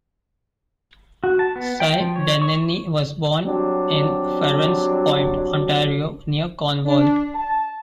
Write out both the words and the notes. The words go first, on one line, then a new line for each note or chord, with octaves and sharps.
Cy Denneny was born in Farran's Point, Ontario, near Cornwall.
F#4
A5
B3
G5
F3
C#5
C#6
F#3 G3 C4 D4
D4
A5